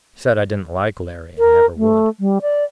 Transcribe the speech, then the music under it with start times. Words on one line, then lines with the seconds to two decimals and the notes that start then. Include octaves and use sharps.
I said I did n't like Larry, and never would.
1.39 A#4
1.77 A3
2.20 G3
2.42 D5